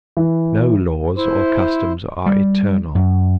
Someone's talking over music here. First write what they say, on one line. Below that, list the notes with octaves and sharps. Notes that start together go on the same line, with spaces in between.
No laws or customs are eternal.
E3
E4 C5
G3
F#2